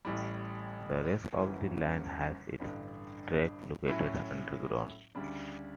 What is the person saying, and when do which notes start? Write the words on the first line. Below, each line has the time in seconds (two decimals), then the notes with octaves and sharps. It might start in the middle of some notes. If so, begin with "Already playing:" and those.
The rest of the line has its tracks located underground.
0.05 A1 A2 G3
1.32 G1 F#2 C#3 E3
2.59 A1 G2 D3
3.88 A2 F#3 C#4 E4
5.15 D2 C#3 G3 D4